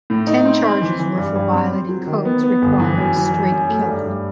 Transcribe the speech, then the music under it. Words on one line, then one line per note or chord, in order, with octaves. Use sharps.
Ten charges were for violating codes requiring straight killing.
A2
D#4
C4
C4
E3
E3
G2
G2
C4
C4
F#3
D#3
B3
B3
G1
E3
F#2
E3
F#2
F#2
A3
G2
G2